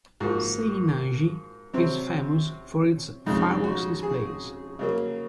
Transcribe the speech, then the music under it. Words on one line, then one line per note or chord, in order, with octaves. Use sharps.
Seinaiji is famous for its fireworks displays.
G#2 F3 A#3 F#4
C3 F#3 C4
F2 C#3 G#3 D#4
D#4
F#4
G#4
C#3 F#3 A#3